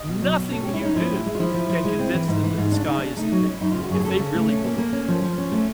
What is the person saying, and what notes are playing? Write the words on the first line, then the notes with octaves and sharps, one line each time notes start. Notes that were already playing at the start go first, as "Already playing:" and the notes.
nothing you do can convince them that the sky isn't pink, if they really believe that.
Already playing: D#5
B2
F#3
B2
C#4 A4
G4
C#4
E4
C#4 D#4
F3 E4
A2
G#3
F4
F3 E4
F3
F3
G#3
C4
E3
G#2
E3
G#2
C#3 D4
C#3 D#4
C#3 D4
A3 D#4
F#3
C#4
E4
F#2 D#4
F4
C#3
F#4
F#2 G#4
G#4
C#3 A4
C#3
A3
C#4
A#3
A#3
C#4
F3
F3
C#4
A3